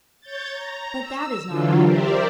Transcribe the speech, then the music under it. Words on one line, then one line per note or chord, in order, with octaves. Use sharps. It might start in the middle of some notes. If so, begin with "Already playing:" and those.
But that is not all.
C#5 G6 A6
A#5
E6
D3 E3 F#3 F4
G4 A#4 C5 D5 E5